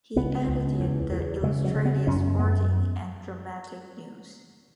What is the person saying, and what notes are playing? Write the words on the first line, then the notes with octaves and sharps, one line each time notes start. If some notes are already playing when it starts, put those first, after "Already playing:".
He edited the "Illustrated Sporting and Dramatic News".
C#2 B3
C#2
E2
E2
C#3 G#3
F#3
C#3
B3
F#2 C#4
F#2 B3